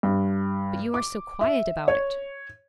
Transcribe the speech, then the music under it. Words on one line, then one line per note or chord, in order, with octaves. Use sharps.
'But you are so quiet about it!
G2
D6
E5
C#5